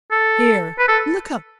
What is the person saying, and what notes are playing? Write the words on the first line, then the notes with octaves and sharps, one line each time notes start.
Here, look up.
A4
B4
A4